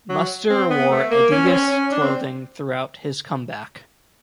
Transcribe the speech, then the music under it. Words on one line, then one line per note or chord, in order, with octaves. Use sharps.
Muster wore Adidas clothing throughout his comeback.
F#3
C4
B3
A3
A#3
C#4
C4
C#4
C#4
D4
C4